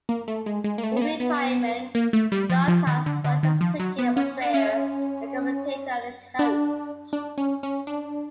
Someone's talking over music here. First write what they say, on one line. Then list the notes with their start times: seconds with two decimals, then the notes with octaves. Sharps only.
In retirement, Stott has worked as a cricket administrator, a commentator and a coach.
0.09 A#3
0.28 A3
0.46 G#3
0.64 G#3
0.78 A#3
0.83 A3
0.97 B3
1.02 A#3
1.20 B3
1.95 A#3
2.13 A3
2.32 G3
2.50 F3
2.68 F3
2.87 D#3
3.06 D3
3.24 D3
3.43 D#3
3.61 F3
3.80 F#3
3.99 B3
4.17 C#4
4.42 D4
4.54 C#4
6.39 D4
7.13 D4
7.38 C#4
7.63 C#4
7.87 D4